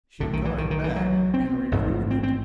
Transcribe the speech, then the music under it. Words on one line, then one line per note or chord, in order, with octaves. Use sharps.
She caught it back and reproved it.
B1 A2 D3
D#3
E3
D#3
D#3
E3
F#3
C4
A1 G#2
C4
C4